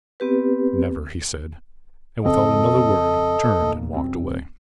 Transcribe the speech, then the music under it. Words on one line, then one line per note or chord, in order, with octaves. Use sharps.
"Never," he said, and without another word turned and walked away.
B3 C4 G4 B4
F2 C#3 C4 A4 D#5
F1 A#2
C2 F#2 C4